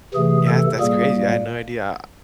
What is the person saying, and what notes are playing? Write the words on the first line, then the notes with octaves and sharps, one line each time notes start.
yeah, th that's crazy, I had no idea
C3 E3 A3 G#4
A4
A#2 G3 A#3 G#4